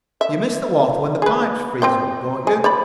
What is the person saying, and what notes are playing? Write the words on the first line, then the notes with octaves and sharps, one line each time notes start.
You miss the water when the pipes freeze up, don't you?
E5
G#4 B4
C4 C5 G5
G#4
C5 D5 B5